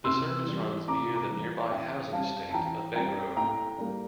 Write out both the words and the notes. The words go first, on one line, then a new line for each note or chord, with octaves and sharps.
The service runs via the nearby housing estate of Bedgrove.
C3 C6 E6
E3 G3
C3 A#5 D6
A#5 D6
E3 G3
E3 E5 G5
G3 C4 F5 A5
A5
E3 G5 A#5
G3 C4 G5 A#5
A2 G5 A#5
G3 A#3